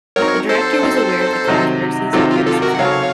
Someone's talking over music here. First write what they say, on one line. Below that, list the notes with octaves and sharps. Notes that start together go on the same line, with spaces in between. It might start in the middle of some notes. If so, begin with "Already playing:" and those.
The director was aware of the controversies and criticism.
F#3 C4 D#4 A#4 C#5
A4 C5
F#3 C4 D#4
C3 D#3 F#3 C4 D#4
C3 D#3 F#3 C4 D#4 F4 A4
F4
F4 A4
F#4 A#4
F#5
C#3 F#3 C4 F#4 A4 C#5 F5